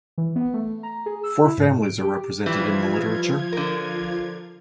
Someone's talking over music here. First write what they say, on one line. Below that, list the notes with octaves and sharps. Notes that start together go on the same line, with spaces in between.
Four families are represented in the literature.
E3
B3
A3
A#5
G#4
E6
E4
G#2
D7
G4
E3 F3 G3 F4 G#6
D3 A#4